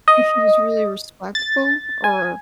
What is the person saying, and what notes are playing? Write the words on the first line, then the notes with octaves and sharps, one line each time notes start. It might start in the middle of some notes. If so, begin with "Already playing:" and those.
He was really respectful or
D#5
A6
G#5